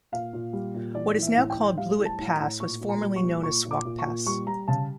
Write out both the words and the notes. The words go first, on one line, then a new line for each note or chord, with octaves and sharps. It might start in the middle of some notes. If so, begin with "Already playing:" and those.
What is now called Blewett Pass was formerly known as Swauk Pass.
A#2 F5
A#2
G3
A#2
E3 D5
E3
E5
A2
G5
A2
G3 F5
A2
A5
A2
A#5
A2
A#2 C#6
A#2
A#5
G3
C#6
A#2
A#2 C#6
A#2
D6
A#2
C#6
A#2
G3 C#6
G3 A#5
C#3 A5